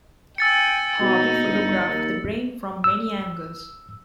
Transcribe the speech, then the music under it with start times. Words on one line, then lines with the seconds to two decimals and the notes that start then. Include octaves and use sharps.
Harvey photographed the brain from many angles.
0.38 G5 G#5 E6 A6 C#7
1.00 B2 D#4
1.46 G1
1.88 D#2
2.84 E6